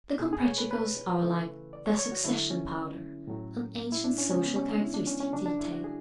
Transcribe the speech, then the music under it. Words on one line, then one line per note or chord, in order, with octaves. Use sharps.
The Comprachicos are like the "succession powder," an ancient social characteristic detail.
B2 A3 G#4
G#4
C#5
B4
B4
C#3 E3 A3
D5
C#5
C#5
F#4
D3 F#3 A3 E4
C#4
A2 F#3 A3
E4
D4
C#4
C#3 G#3 C#4
B3
C#4
D4
E4
D4
C#4
C#4
C#3 F#3 A3 D4
D4
E4
F#4
G#4